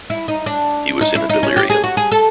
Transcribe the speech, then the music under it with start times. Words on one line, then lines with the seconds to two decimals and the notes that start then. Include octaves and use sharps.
He was in a delirium.
0.10 E4
0.28 D#4
0.46 D4
1.01 D#4
1.15 E4
1.29 D#4
1.43 C#4
1.56 G4
1.69 G#4
1.84 F#4
1.97 G#4
2.12 A4